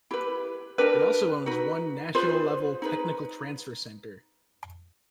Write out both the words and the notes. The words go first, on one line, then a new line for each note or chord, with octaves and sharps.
It also owns one National-level Technical Transfer Center.
E4 G4 B4
D4 G4 A#4 B4
D#4 F#4 B4
F4 G#4 B4 C5
D#4 G#4 B4